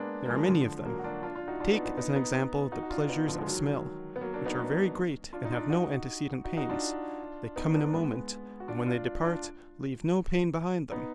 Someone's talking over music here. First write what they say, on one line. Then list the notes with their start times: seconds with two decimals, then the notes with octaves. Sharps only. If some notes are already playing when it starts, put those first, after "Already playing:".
There are many of them: take as an example the pleasures of smell, which are very great and have no antecedent pains; they come in a moment, and when they depart leave no pain behind them.
Already playing: G#3 A#3 B3 D4
0.25 A#3
0.29 F3 G#3
0.48 D3 F3
0.85 F#3 A#3
0.99 F#4
1.04 D4 F4
1.23 D4 F4
1.35 D4 F4
1.48 D#4 F#4
1.60 D4 F4
1.73 B3 D#4
1.85 B3 D#4
1.97 B3 D#4
2.16 B3 D#4
2.72 D#4 F#4
2.83 F#4
2.90 D4 F4
3.09 B3 D#4
3.27 D3 F3
3.39 G#3
3.46 D#3 F#3
4.16 B3
4.21 F#3 A#3
4.33 A#3 D4
4.45 B3 D#4
4.58 B3 D#4
5.33 D4 F4
5.45 D#4
5.52 D4 F4
5.70 D#4 F#4
6.44 D#4 F#4
6.57 D#4 F#4
6.69 D4 F4
7.56 B3 D#4
7.75 A#3 D4
7.93 G#3 B3
8.60 F#4
8.68 D4 F4
8.86 D4 F4
9.24 D4 F4
10.92 B3 D#4